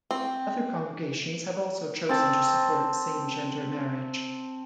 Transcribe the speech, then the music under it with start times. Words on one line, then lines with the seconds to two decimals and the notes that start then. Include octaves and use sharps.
Other congregations have also chosen to support same-gender marriage.
0.11 C4
2.09 C4 A5